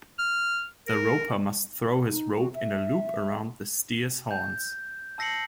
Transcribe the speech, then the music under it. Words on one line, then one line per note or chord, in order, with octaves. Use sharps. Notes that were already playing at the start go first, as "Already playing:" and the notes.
The roper must throw his rope in a loop around the steer's horns.
F6
A#4
D#4
F#4
E5
G6
A5 E6 A#6 C7 C#7 F#7